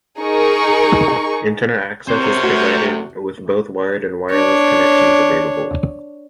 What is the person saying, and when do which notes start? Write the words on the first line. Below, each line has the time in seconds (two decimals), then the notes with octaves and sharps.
Internet access is provided, with both wired and wireless connections available.
0.19 D#4 G#4 A#4 C#6
2.08 E2 C3 C4 A#4 C5 C#5
2.43 A3 F#4
4.31 D4 C#5